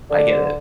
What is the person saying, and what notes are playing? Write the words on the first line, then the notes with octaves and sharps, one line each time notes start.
I get it.
D3